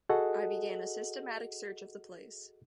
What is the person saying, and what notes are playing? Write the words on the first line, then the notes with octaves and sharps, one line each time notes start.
I began a systematic search of the place.
F#4 G#4 A4 D#5 F#5